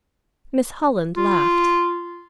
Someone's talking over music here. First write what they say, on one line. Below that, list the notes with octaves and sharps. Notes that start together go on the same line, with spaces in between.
Miss Holland laughed.
F4